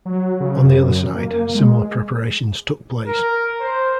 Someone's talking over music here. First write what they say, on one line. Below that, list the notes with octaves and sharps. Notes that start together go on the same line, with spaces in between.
On the other side, similar preparations took place.
F#3
C#3
F#2
A#3
G#3
A#4
C5